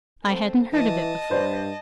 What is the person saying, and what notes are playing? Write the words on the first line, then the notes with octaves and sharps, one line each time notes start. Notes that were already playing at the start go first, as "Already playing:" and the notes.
I hadn't heard of it before.'
A3 C4
E3 D#5 A5
G2 B4 C5 D5